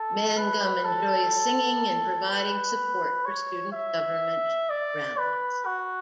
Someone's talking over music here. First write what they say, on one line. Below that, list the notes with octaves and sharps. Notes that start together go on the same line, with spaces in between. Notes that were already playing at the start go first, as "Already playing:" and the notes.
Mangum enjoys singing and providing support for student government rallies.
Already playing: A4
B4
A4
B4
C#5
E5
D5
B4
F#4